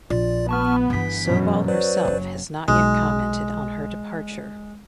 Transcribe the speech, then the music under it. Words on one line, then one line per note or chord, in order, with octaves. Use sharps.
Sobol herself has not yet commented on her departure.
A#1 F4 D5
B3 A5 C#6 F6
G1 G2 E3 B6
F#2 B2
F#3 B4 C5 D5
F#1 C#4
B1 G#3